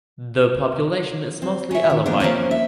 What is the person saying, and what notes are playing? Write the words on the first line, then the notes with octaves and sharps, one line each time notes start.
The population is mostly Alawite.
C4
C#4 E5
D#3
C3 F3 A#3 B3 D4
F3 A#3 C4 C#4
E5